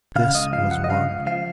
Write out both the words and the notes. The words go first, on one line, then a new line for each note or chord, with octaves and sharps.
This was one.
C#3 F5
C#2 D#5
F3 F5
C#2 F#5
D#5
C#3 F5
C#2
F3 F5